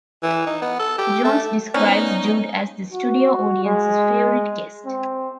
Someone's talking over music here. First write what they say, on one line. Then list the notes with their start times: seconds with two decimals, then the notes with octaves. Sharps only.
Jones describes Jude as the studio audience's favorite guest.
0.23 E3
0.46 D#4
0.62 B3
0.80 A4
0.98 G4
1.24 A3
1.74 B3 C#4 D#4 C5 D5
2.93 F#4
3.65 G#3
4.86 C4